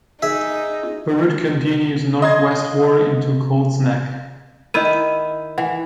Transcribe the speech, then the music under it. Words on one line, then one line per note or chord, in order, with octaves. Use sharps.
The route continues northwestward into Colts Neck.
D#4 G#4 E5
D#5 C6 G#6
D#3 E4 D#5 D#7
E3 F#5